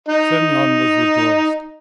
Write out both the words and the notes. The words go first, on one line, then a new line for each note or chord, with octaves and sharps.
Semyon was rejoiced.
D#4